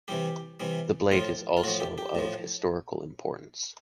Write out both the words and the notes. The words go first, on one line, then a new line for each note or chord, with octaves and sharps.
The blade is also of historical importance.
C3 E3 G3 G4
C3 E3 G3
A2 F3 F4
F4
A2 F3 F#4
G4
G4
A2 F3